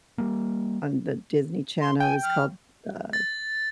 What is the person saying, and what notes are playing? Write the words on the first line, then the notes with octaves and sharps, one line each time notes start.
on the Disney Channel, it was called, uh
G3 A#3
C6
G5 G#5
F6
A6